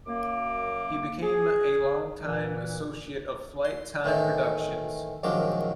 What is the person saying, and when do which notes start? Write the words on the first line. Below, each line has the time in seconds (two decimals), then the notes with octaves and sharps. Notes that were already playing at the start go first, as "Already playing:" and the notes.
He became a long-time associate of Flyte Tyme productions.
0.07 F#2 A#3 D6
1.22 G#4
2.24 A#2 E3
3.65 C6
4.04 A2 D#3 E3 D#4
5.23 A#1 F#2 D#3 F3 G#3 D6